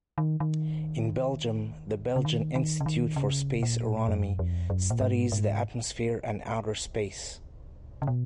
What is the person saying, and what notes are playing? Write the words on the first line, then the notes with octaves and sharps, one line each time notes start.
In Belgium, the Belgian Institute for Space Aeronomy studies the atmosphere and outer space.
D#3
D#3
C#3
D#3
D#3
C#3
D#3
C#3
A#2
F#2
F2
F#2
A#2
G#2
G#2
C#3
B2